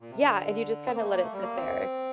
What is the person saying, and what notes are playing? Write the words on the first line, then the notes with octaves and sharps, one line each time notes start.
Yeah, and you just, kinda let it sit there.
A#2
C3
D3
C4
A#3
A3
A#3
A3
G3
A#3
C4